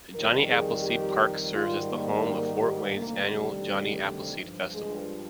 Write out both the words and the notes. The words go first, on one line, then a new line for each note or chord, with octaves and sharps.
Johnny Appleseed Park serves as the home for Fort Wayne's annual Johnny Appleseed Festival.
F2 D#3 G3 A#4
G#4
G4
G#2 D#3 G3 F4
A#3
A#3
G3
D2 C3 D#3 G3 A#3
G3
G2 F3
G#3